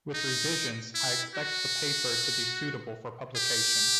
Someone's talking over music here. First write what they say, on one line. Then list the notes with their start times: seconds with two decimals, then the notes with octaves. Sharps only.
With revisions I expect the paper to be suitable for publication.
0.14 D#4
0.95 E4
1.35 F#4
3.36 G4